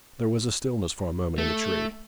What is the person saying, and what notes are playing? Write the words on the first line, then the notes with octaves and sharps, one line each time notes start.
There was stillness for a moment in the tree.
A3